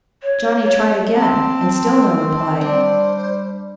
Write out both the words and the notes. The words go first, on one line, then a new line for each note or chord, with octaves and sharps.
Johnny tried again, and still no reply.
C#5
C#5
C4 A5
A5
G3 D4 C5